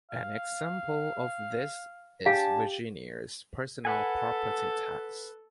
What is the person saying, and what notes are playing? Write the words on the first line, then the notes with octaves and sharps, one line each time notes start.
An example of this is Virginia's personal property tax.
F5
D4 G4 F5 G#5 A5
A4 B4 F#5 G#5